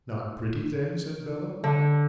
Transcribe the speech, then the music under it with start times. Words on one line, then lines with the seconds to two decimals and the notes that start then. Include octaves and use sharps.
'Not pretty then?' said Bella.
1.64 D3